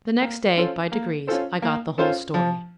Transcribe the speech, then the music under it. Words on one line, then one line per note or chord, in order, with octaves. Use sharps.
The next day, by degrees, I got the whole story.
A#3
C#4 F4 A4 C5
A#3
C#4 F4 A4 C5
A#3
C#4 F4 A4 C5
F3